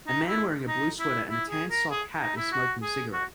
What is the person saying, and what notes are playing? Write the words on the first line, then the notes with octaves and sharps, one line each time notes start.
A man wearing a blue sweater and a tan sock hat is smoking a cigarette.
D#4
E4
D#4
E4
E4
G#4
A#4
G#4
D#4
E4
F#4
G#4
F#4